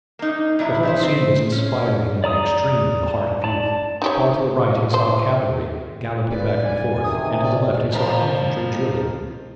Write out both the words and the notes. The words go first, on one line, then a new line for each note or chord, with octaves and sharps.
The whole scene was inspiring in the extreme to the heart of youth. Far to the right he saw cavalry galloping back and forth, and to the left he saw infantry drilling.
A#3 D#4
A#2 F#3 E4
D#4 E4 C5
C4 C5
C#4
D5 A#5 D#6
D5 A5
D#4 G4 C#5
C5
B4 D5
G#5
C3 D#3 D#6
D5
F2 F3 A#4